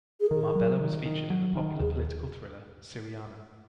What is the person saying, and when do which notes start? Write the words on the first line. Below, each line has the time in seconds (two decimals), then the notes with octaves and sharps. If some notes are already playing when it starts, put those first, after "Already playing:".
Marbella was featured in the popular political thriller, "Syriana".
0.21 G#4
0.30 D#3 A#4
0.55 F#3
0.80 D#3
1.06 D#3
1.30 F#3
1.55 D#3
1.80 D#2 G#4